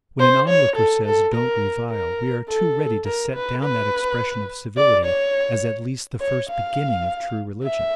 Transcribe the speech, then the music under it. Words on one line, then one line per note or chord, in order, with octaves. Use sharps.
When an onlooker says 'Don't revile,' we are too ready to set down that expression of civility as at least the first beginning of true religion.
C5
C#5
A4
A4
A#4
A#4
A4
A#4
B4
B4
D5
C#5
C#5
F5
E5